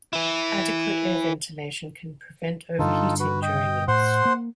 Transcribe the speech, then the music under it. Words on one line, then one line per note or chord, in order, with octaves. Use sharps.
Adequate air ventilation can prevent overheating during use.
E3 E4
G2 D3 D#4 F4 A4
F#4 B4
D#5 G5
A2 C5 F#5 C6
A#3